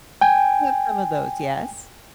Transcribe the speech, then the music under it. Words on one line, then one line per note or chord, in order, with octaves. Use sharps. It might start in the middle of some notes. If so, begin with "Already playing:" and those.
we have some of those. Yes.
G5 G#5